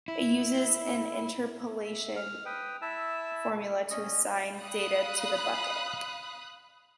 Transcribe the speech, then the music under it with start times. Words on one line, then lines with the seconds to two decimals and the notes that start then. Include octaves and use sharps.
It uses an interpolation formula to assign data to the bucket.
0.08 E4
1.83 E5
2.16 F6
2.46 B4 G5 D#6
2.82 E4 E5 A5 E6
3.90 C#4 D#5
4.58 F5 B5 D#6 F#6